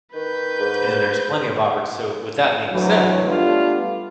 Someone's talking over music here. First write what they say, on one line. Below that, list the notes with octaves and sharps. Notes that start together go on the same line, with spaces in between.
And there's plenty of opport so, with that being said,
D#3 B4 G6
G#2
D2 E3 F#3
G3 A3 B3 D4 F4